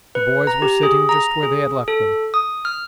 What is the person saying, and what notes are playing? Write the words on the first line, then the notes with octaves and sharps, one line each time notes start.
The boys were sitting just where they had left them.
B4
A#5
G4
G#4
A#5
G#4
A4
D#6
F6